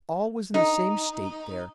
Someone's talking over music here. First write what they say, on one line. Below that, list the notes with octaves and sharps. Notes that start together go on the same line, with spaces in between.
All was in the same state there.
D#4